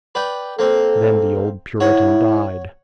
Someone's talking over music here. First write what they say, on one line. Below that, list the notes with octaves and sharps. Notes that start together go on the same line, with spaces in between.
Then the old Puritan died.
B4 D5 G5
A#3 C4 A4
E4 C#5 F#5